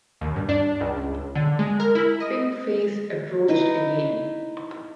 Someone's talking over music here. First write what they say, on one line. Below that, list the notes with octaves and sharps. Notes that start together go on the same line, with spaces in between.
Pink face approached again.
D#2
G2
D4
C#2
D3
G#3
A#4
E4
D#5
D#4 E4 B4